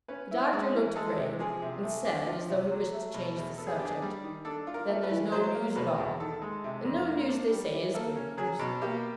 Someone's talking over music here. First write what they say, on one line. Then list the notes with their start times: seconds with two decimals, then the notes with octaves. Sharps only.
The Doctor looked grave, and said, as though he wished to change the subject, 'Then there's no news at all; and no news, they say, is good news.'
0.08 C#4 B4
0.31 E4
0.53 G#3
0.74 E3
0.96 G#3 A4
1.17 C3
1.39 F3 G#4
1.62 C3
1.83 A3
2.05 D4
2.27 F3
2.49 C3
2.71 F#3
2.93 A3
3.14 B2
3.37 E2
3.58 B3 A4
3.67 G#4
3.76 D4 G4
3.85 G#4
4.02 G3
4.24 D#3
4.45 D4 A4
4.67 F4
4.74 A#4
4.88 A3
5.03 B4
5.10 E3
5.32 F#3 C5
5.55 A#3
5.76 B2 B4
5.98 E2
6.20 D#3 A4
6.42 G#3
6.64 C3
6.85 F2
7.08 A#3
7.29 D4
7.51 G3
7.72 E3
7.94 A#3 A4
8.16 C#4
8.37 F#3 G#4
8.59 B2
8.82 A#3 G4